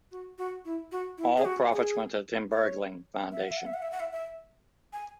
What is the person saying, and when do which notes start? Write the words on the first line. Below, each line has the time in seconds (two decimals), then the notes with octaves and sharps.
All profits went to the Tim Bergling Foundation.
0.11 F#4
0.38 F#4
0.65 E4
0.92 F#4
1.18 E4
1.37 G#4
1.45 F#4
1.72 G#4
2.52 C#5
3.32 E5
3.40 F#5
3.49 E5
3.57 F#5
3.66 E5
3.74 F#5
3.82 E5
3.92 F#5
4.00 E5
4.12 E5
4.93 G#5